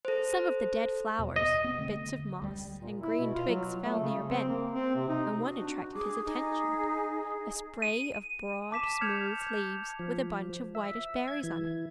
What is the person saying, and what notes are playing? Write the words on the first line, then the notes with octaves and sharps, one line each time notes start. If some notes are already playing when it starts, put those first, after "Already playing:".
Some of the dead flowers, bits of moss, and green twigs fell near Ben, and one attracted his attention,--a spray of broad, smooth leaves, with a bunch of whitish berries on it.
A4 C5
E2 B2
D#5
B3 C4
D3 A3
D2 G3
A#2
E4
B2
F4
F#3
A3
C#3
C4
A#3
C4
C3
D#4
D4 F#4
G#4 D6
D#4 G#4
G#4
D#7
A5 D6 B6 E7
F6 G6 G#6 C#7 F7
G6
F3
E5
G#6
E3